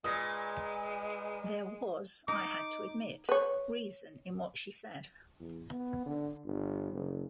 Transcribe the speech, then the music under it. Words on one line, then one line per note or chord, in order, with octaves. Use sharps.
There was, I had to admit, reason in what she said.
A#2 G#3 B4 D#6 A#6
D#4 D6
B4 C#5
E2
B3
D3
G1
F#1